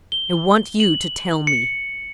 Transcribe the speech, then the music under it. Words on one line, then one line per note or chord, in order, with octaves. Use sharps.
"I want you to tell me."
G7
F#7
C#7